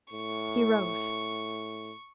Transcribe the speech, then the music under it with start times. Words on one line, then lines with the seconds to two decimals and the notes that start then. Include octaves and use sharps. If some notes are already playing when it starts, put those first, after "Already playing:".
He rose.
0.13 A2 C#6